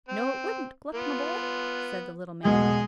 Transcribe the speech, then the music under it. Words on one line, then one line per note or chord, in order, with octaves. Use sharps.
"No, it wouldn't, Gluck, my boy," said the little man.
C4
B3 F4
E1 B1 G#3 G#4 D#5 F#5